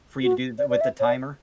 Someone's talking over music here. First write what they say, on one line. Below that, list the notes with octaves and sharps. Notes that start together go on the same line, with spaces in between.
for you to do th with the timer.
F#4
D5
D5
E5
C#5
D5